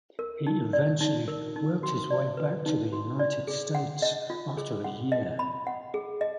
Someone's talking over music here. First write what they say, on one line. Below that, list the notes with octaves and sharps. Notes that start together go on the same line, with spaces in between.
He eventually worked his way back to the United States after a year.
A#4
D#4
D5
D#4
A#4
D#4
F#4
D5
B4
D#4
F#4
D5
G#4
F#5
D#5
F4
G#4
F#5
D#5
B5
F#5
G#4
D#5